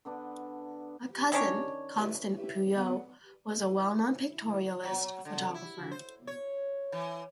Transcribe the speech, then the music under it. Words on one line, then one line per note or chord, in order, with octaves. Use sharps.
A cousin, Constant Puyo, was a well-known Pictorialist photographer.
D3 B3 D4
D#3 C#4 D4 C#5
F#3
D3
E4
C5
C#5
E3